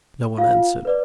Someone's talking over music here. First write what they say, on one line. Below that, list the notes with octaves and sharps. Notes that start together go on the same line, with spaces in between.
No one answered.
F4 F5
B4 D5